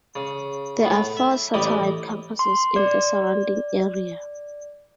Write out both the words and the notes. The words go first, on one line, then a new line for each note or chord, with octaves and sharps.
There are four satellite campuses in the surrounding area.
C#3
A2 B3
E5
A1 G3 E4 D#5
C6
D5